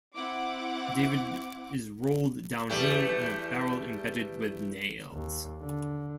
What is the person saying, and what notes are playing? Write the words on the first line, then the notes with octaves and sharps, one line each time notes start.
David is rolled downhill in a barrel embedded with nails.
C4 E4 F#5 D6
E2 G3 A3
D#2
D3